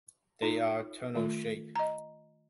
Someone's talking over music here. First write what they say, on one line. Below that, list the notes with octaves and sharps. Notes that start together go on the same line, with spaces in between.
They are tunnel-shaped.
D#4 F4
D#3 A3 F4
D#5 A#5